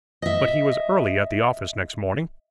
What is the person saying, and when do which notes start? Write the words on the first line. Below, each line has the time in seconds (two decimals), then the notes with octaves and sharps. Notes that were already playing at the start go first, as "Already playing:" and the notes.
But he was early at the office next morning.
0.22 D#5 E5